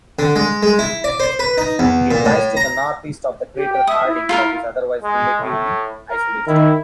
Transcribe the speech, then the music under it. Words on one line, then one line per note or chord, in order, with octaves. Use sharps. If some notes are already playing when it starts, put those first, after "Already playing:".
It lies to the northeast of the crater Harding, but is otherwise relatively isolated.
D3
G#3
G#3
E4
D5
C5
B4
D#4
E2
A#2
A2
A#5
G4
G5
E5 D#6
E4
F4 A4 A#4
G#3
A2
A#4
D#3 E4